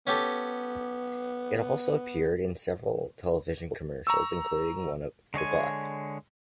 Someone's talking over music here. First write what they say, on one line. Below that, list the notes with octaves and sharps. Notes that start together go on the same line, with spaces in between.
It has also appeared in several television commercials-including one for Buick.
B3 C#4 G4 A4
A#5 C#6 E6
D3 G#3 C#5 G#5